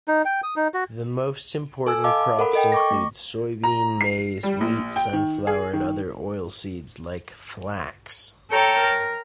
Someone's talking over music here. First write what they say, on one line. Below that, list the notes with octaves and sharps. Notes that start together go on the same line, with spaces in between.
The most important crops include soybean, maize, wheat, sunflower and other oilseeds, like flax.
D#4
G5
D#6
D#4
F#4
A4 G#5 E6
D#5 F5 A5 D6
A4 A#4 F#5 B5
A4 D#5 G5
C#6 D6 A#6
A3
A#5
C7
G3
A#1
G5
D#3
G#4
D#3
A4 C#5 G5 A5 A#5
A#4